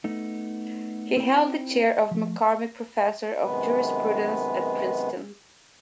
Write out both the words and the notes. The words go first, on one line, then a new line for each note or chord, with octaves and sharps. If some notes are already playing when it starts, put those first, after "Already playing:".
He held the chair of McCormick Professor of Jurisprudence at Princeton.
A3 B3 D#4
C4 E4 C5 D5 G5 B5
F3 A3
F#2 C3 D#3 G#3 B3 B4